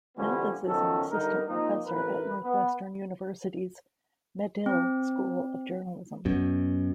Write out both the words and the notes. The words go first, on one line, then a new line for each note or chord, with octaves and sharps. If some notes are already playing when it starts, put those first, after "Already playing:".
Mathis is an assistant professor at Northwestern University's Medill School of Journalism.
D3 E3 F3 G3 B3 C#4
F#2 B2 D#3 F3 C#4 A4
G2 D3 G3 D#4 A#4
F3 A#3 C4 D#4
A1 E3 A#4 B4
B3
C4
F#2 B2